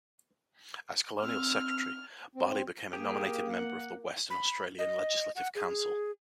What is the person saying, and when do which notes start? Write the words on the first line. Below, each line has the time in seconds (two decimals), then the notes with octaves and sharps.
As colonial secretary, Barlee became a nominated member of the Western Australian Legislative Council.
1.22 C4 E6 F6
2.35 C4
2.93 A#3 G4 G#4
3.56 F#5
4.30 B5
4.79 D#5
5.36 F#5
5.55 G#4